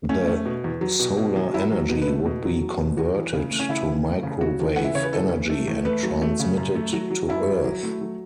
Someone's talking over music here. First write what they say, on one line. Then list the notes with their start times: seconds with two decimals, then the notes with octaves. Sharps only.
The solar energy would be converted to microwave energy and transmitted to Earth.
0.09 A3 C#4
0.27 A3
0.46 B2
0.64 E2
0.81 F#3
1.00 B2
1.17 B2
1.36 F#3
1.54 F#3 E4
1.71 F#3
1.89 B2
2.02 B4
2.07 A3
2.26 B2
2.44 F#3
2.61 F#3
2.80 B2
2.97 E2 F#4
3.16 E3
3.34 C#3
3.51 A3
3.60 C#4
3.69 C#3 E4
3.87 E3
4.05 A3
4.23 C#3
4.41 C#3 F#4
4.60 E2
4.76 E3 F#5
4.84 E5
4.95 C#3 C#5
5.03 B4
5.13 E3 A4
5.32 E2
5.50 A3
5.68 E2
5.85 A3 B4
6.03 F#3
6.22 A3
6.39 C#3
6.58 F#2
6.75 A3
6.93 F#3 F#4
7.10 F#3
7.29 F#2 E4
7.47 F#3
7.64 F#3
7.83 A3
8.01 F#3